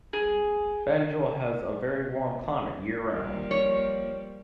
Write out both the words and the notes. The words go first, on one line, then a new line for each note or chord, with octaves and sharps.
Banjul has a very warm climate year round.
G#4
F3 G3 A#3
C#5